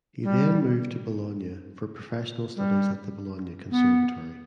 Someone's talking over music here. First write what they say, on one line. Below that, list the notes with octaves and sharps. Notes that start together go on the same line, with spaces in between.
He then moved to Bologna for professional studies at the Bologna Conservatory.
G3
G3
B3